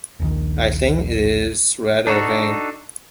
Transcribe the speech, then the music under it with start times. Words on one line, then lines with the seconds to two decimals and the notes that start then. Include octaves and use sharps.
I think it is rather vain.
0.20 D#1 A#1 D#3
2.07 D4 D#4 F#4 A4